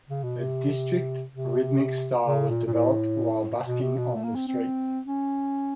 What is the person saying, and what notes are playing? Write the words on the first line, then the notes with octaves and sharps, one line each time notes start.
Her district rhythmic style was developed while busking on the streets.
C#3
B2
C3
C3
C#3
A#2
A#2
A2
B2
C3
B2
A3
A#3
C4
C4
C#4